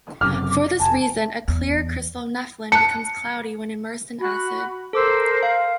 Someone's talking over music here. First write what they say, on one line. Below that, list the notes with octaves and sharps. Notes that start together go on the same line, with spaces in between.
For this reason, a clear crystal of nepheline becomes cloudy when immersed in acid.
F#1 F#2 C3 D6 F6
F1 G#5 A5
E2
A5 F#6 C#7
F#4 B5
A4 A#4 C5 D6 E6
F5